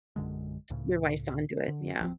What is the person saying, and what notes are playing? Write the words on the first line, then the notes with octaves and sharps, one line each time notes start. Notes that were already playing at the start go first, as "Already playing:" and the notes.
Your wife's onto it, yeah.
A#1 F#2 D3 G#3
C#2 A2 C#3
D3
D1 F3 C4